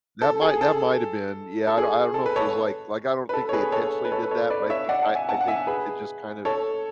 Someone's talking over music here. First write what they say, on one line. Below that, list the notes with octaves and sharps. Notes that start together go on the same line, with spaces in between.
That might that might've been. Yeah, I don't I don't know if it was like like, I don't think they intentionally did that, but I think I I think it just kind of
A4
G#4
A4
A4
G#4
A4
B4
A4 C#5
B4
A4
C#5
G#4 B4
A4 C#5
B4
A4 C#5
B4
A4 C#5
B4 D5
C#5 E5
D5 F#5
F#5 A5
E5 G#5
F#5 A5
F#5
E5 G#5
G#4 B4
A4 C#5